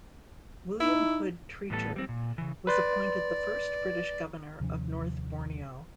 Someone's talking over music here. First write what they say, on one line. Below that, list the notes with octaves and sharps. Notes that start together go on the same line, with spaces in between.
William Hood Treacher was appointed the first British Governor of North Borneo.
D#4 E4
A2 E3 G3 B3 D#4 A4
G3 C4
A#2
C#3 E3
B4 D5 C6
D#2 C3 F3 C#4